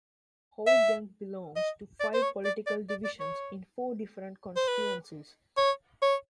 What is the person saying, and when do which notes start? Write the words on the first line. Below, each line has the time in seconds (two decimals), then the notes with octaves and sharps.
Hougang belongs to five political divisions in four different constituencies.
0.67 E5
1.56 D#5
2.00 D5
2.14 C5
2.22 C#5
2.45 D5
2.67 D5
2.89 D5
3.05 D5
3.20 C#5
4.56 C5
4.68 B4
5.57 C#5
6.02 C#5